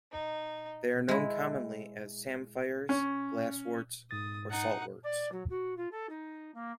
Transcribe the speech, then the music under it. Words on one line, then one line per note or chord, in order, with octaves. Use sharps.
They are known commonly as samphires, glassworts, or saltworts.
D#4
G#3 E4
C#4
G#2 D#6 A6
D#4 F#5
D5
F#3
F#4
F4
A4
D#4
A#3